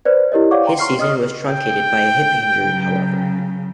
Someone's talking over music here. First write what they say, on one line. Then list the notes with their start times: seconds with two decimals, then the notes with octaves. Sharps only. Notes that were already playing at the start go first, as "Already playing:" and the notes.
His season was truncated by a hip injury, however.
0.05 B4 C5 D5
0.32 E4 G4 A#4 C#5 D#5
0.51 C#5 D5 F5 F#5 C#6 D6
0.66 G5 A#5 C6
0.79 C6 C#6 F6 C7
0.99 D#5 D#6 F6
1.49 G5
2.59 C#3 F#3